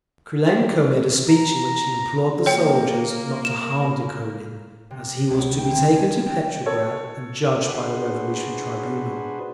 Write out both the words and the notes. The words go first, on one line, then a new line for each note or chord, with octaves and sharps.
Krylenko made a speech in which he implored the soldiers not to harm Dukhonin, as he was to be taken to Petrograd and judged by the Revolutionary Tribunal.
C5 G5
A#5
A#3 A#4 C#5 G5
E7
C3
A#6
C#2
G5
D3
G#5
G5
A4 C#5
D4 F#4 G#4 B4 C5